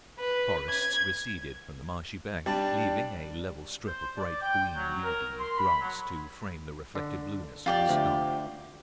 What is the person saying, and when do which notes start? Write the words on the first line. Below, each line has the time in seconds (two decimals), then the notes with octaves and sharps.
The forests receded from the marshy bank, leaving a level strip of bright green, reedy grass to frame the reflected blueness of the sky.
0.19 B4
0.70 G#6
2.46 G3 D4 A5
3.87 C5
4.17 D5
4.41 G5
4.75 F#3
5.03 A#4
5.39 C6
5.58 B5
5.81 F#3
6.95 D3
7.66 F2 F4 G4 D5
7.89 D2